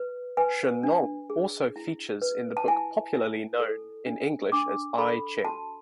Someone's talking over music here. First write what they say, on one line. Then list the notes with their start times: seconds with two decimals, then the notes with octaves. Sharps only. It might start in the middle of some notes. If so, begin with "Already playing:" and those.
Shennong also features in the book popularly known in English as "I Ching".
Already playing: B4
0.37 B4 G#5
0.83 D4
1.30 G#4
1.76 E4
2.22 B4
2.57 A5
2.68 E4 G#5
3.14 E4
3.60 A4
4.06 D4
4.52 D4 D6
4.98 A4 B5
5.45 F#4 A5